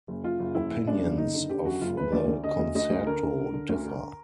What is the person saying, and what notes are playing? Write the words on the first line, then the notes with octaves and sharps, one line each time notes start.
Opinions of the concerto differ.
F#1
F#1 F4
F#1
F#1 E4
F#1
F#2 D4
F#1
F#1 D#4
D3
D3 G4
F#2 F#4
F#1 F4
F#1 B4
D2 D5
D2
D3 D#5
D2
D2 D#5
D2
D3 A#4
D3
D3
D3
D2
D3